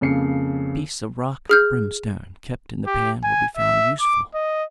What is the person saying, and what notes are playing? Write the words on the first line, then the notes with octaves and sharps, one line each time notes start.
A piece of rock brimstone kept in the pan will be found useful.
F2 C#3 A#3 C7 C#7
G#4 F6 G6
G4
G#5
E5
D6
D#5